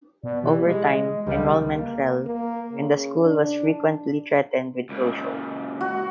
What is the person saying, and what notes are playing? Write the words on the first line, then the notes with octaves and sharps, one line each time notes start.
Over time enrollment fell, and the school was frequently threatened with closure.
B2 D5
E3 G4
G#3 D#5
C#2 G3
A#3
A#3
C#3
D4
C#2 A#2
F#4